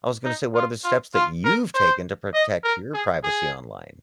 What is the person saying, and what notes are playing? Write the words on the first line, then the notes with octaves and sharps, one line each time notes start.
I was gonna say, what are the steps that you've taken to protect your privacy online?
D#4
F4
F4
F4
A#4
C5
D#5
A#4
G#4
G#4